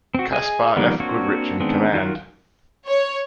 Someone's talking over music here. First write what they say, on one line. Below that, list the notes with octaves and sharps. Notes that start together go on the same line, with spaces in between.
Caspar F. Goodrich in command.
C4 F#4
G#4 D#5 G#5
D#3 F3 G3 A#3 B3
A#3 C4 D4 F#4 C#5
D#3 G#3 B3 C4 D4
D#3 F#3 F4 A#4 F#6
C#5